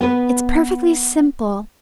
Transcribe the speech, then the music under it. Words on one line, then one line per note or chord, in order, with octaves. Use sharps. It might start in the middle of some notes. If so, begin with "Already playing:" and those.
It's perfectly simple.
B3 B4